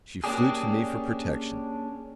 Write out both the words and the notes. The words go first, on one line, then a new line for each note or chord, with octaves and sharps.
She flew to me for protection.
A#3 C#4 D4 G4 G#4